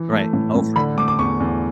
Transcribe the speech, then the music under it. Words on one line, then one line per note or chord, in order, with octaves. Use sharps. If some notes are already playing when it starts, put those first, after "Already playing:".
Right. Oh, for sure.
Already playing: E3
A3
A2
A2
D3 B5
A3 D6
D6
E2 C#6
E2